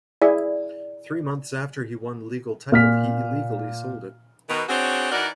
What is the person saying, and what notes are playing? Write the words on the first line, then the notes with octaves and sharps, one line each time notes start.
Three months after he won legal title, he illegally sold it.
E4 G#4 D5 E5
A#2 F6 B6
B2 D#3 A#4
C4 D4 F#4 G#4 C5 C#5
E3 D#4 F#4 A#4 D5